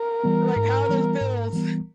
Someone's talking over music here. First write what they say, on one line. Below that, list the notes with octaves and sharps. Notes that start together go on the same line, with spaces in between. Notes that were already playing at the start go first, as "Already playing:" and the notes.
Like, how are those bills?
Already playing: A#4
E3 G3 B3
G#2
E3 G3 B3
G#2
E3 G3 B3